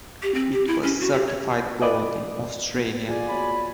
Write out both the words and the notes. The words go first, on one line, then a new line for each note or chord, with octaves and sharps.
It was certified Gold in Australia.
G4
C4
G4
E4
C#4
F#4
G4
C#5
B4 D5 D#5
A#3 B3
F4 G#4 D5 G#5
F#4 C#5 B5